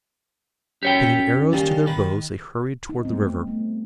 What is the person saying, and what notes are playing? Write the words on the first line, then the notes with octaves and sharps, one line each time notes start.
Fitting arrows to their bows they hurried toward the river.
F#2 G4 C#5 G5
D#3 G3 A#3 C#4
D#3 B4
D#4
G3 A3 B3 C4
A3 C4